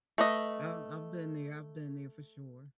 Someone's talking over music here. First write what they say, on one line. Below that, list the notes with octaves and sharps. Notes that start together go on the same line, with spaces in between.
I've I've been there, I've been there for sure.
A3 B4 D#5